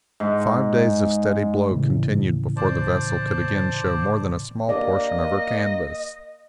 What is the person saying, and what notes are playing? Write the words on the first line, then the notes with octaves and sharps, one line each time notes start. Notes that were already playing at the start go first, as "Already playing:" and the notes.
Five days of steady blow continued before the vessel could again show more than a small portion of her canvass.
G#2
A2 C#3 E3
C5 D5 A5
A#3 D5 D#5